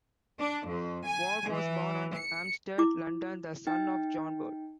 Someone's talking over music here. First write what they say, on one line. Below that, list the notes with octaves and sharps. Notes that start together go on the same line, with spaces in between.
Ward was born at Hampstead, London, the son of John Ward.
D4
F2
G#5
E3
C#7
E4 D6
D#4 G5